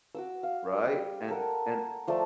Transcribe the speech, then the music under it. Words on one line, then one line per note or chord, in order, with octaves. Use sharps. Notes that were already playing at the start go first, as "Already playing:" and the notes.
right? And and
F#4 D6 E6
F5
G3
A4 A#4 F#5
F3 A3 D5